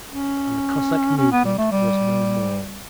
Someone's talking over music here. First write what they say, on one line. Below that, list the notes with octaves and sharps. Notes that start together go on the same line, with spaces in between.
And the Cossack movement was no more....
C#4
C#4
B3
G3
A3
G3